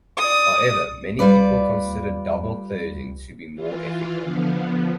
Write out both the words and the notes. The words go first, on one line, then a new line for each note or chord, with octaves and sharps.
However many people consider double closing to be more ethical.
D5 D#6
G3 F4 B4 D5
E3 F4
D3 F3 B3